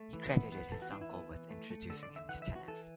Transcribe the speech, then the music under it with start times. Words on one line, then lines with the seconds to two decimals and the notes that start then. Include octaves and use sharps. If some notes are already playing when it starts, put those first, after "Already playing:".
He credited his uncle with introducing him to tennis.
Already playing: A3
0.13 E3
0.33 B3
0.52 B3
0.72 E3 A4
0.82 F#4
0.91 E3 D4
1.01 E4
1.11 B3
1.31 E3
1.51 A3
1.70 A3
1.90 D3 A4
2.03 D5
2.09 D3
2.16 E5
2.29 E3 F#5
2.42 E5
2.49 E3
2.56 F#4
2.68 E3 A4